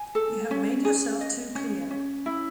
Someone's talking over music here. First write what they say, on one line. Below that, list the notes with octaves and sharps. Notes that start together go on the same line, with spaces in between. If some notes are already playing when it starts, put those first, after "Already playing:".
You have made yourself too clear.
Already playing: G#5
A4
C#4
G#4
D#5
C#4
C#4
E4